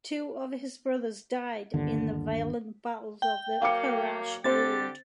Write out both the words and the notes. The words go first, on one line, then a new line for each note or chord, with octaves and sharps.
Two of his brothers died in the violent battles of the Perrache road.
G1 D#2 D3
G5
F#3 A#3 F5 D6 C#7
D3 C4 G4 C5 A6